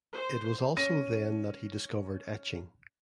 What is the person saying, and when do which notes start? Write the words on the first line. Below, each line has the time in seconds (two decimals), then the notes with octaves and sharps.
It was also then that he discovered etching.
0.12 C5
0.77 C#4 A#6 D#7